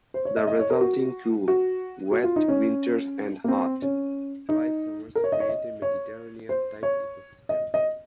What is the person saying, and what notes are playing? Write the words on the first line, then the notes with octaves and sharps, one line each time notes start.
The resulting cool, wet winters and hot, dry summers create a Mediterranean-type ecosystem.
C5
C#5
D#5
D#5
C#5
A#4
F#4
F#4
F#4
F4
D#4
C#4
A#3
C4
C#4
D#4
A#4
C#5
D#5
C#5
D#5
C#5
C5
C#5
D#5
D#5